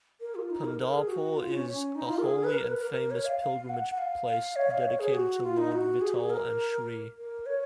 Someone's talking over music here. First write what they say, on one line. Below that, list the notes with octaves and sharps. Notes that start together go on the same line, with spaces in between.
Pandharpur is a holy and famous pilgrimage place dedicated to Lord Vitthal and Shri.
A#4
F4
D#4
A#4
A#4
G#4
F#4
F4
C#4
C#4
D#4
F4
A#4
G#4
B4
A#4
B4
B4
A#4
C#5
F5
F5
F#5
F#5
F5
F5
C#5
F5
C#5
G#4
F#4
F4
D#4
F#4
G#4
F#4
G#4
A#4
A#4
C#5